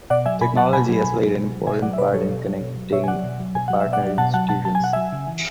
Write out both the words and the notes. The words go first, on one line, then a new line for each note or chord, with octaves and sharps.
Technology has played an important part in connecting the partner institutions.
B2 D5 F#5
F#3 E5 G#5
B2 G#5 B5
F#3 F#5 A5
B2 G#5 B5
F#3
B2
F#3
B2
F#3
B2 E5 G#5
F#3 D5 F#5
E5
B2 B4 D5
F#3 A4 C#5
B2
F#3
B2
F#3
B2 C#5 E5
G#5
F#3 D5 F#5
B2
F#3
B2 G#5
F#3 F#5
E5
B2
D5 F#5
F#3
B2 F#5 A5
F#3 F#5 A5
B2 F#5 A5
F#3 A5
G#5
B2 F#5
F#3 E5 G#5
C#3
E3